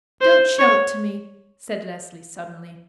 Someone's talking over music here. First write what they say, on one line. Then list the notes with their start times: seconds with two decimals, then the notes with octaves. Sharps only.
"Don't show it to me," said Leslie suddenly.
0.21 C5
0.59 C#5